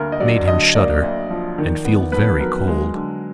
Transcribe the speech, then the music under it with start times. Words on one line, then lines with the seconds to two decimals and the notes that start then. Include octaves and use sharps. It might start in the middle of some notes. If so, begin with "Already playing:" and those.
It made him shudder, and feel very cold.
Already playing: D2 D3 A#3 A#4
0.12 D#5
0.20 F#3 D5
0.48 D3 D#5
0.75 A#3 D5
1.02 D2
1.30 F3
1.58 D#3
1.85 B3
2.12 F2 B4
2.40 F#3 A#4
2.67 G#3
2.94 D3